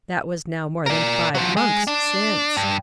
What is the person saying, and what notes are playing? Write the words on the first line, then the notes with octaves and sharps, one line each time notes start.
That was now more than five months since.
A#4 D5
F3 F#3
G#3
D4
G2